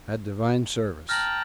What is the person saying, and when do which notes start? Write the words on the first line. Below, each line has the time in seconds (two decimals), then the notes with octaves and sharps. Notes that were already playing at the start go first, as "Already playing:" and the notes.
Had Divine Service.
1.09 G5 A5 A#5 F6 A#6 F#7